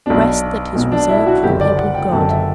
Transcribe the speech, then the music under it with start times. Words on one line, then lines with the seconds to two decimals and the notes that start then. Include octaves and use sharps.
"Rest that is reserved for the people of God."
0.06 B1 B2 D4
0.75 B1 B2
0.92 D4
1.09 E4
1.26 F#4
1.43 F#1 F#2 D3 G4
1.61 D5
1.77 F#5
1.95 G5
2.12 F#1 F#2 D3 A5
2.29 E5